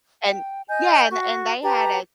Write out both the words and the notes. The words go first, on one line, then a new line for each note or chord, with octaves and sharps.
and yeah, and and they had a
G5
D#5 G#5 G6
F#4 C#6
G4 B4 A5 A#5